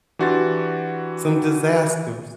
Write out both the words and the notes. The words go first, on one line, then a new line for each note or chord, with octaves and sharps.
some disasters,
E3 D4 F#4 G4 C6 A6